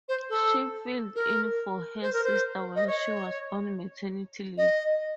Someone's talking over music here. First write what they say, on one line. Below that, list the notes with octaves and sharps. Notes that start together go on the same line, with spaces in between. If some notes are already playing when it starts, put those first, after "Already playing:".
She filled in for her sister when she was on maternity leave.
C5
A4
A#4
C5
A#4
C5
D#5
C#5
D#5